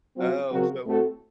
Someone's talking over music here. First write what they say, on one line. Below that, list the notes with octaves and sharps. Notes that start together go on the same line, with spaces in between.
Oh, so
F#3 C4 F4
C#3 F#3 C4 F#4 A#4
A2 A3 C4 F#4 A4